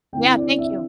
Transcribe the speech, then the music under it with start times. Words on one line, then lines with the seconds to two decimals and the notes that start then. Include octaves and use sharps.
Yeah, thank you.
0.13 D3 C4 E4 G5
0.36 D5
0.58 E5